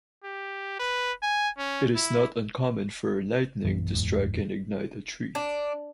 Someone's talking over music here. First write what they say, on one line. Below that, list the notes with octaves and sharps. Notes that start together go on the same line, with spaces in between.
It is not uncommon for lightning to strike and ignite a tree.
G4
B4
G#5
C#4
E4
A#1 F#2 E3 B3
F#1 E2 G#2
D4